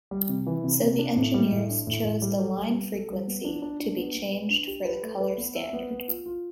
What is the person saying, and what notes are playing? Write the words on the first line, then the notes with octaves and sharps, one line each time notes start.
So the engineers chose the line frequency to be changed for the color standard.
G3
C3
E3
C3
C3
D4
A2
G3
A2
D4
A2
A2
G3
A4
G3
B3
A4
G3
B3
D4
D4
D4
B3
B3
B4
D4
G4
B4
A3
B4
B3
E5
B3
B3
F4
F4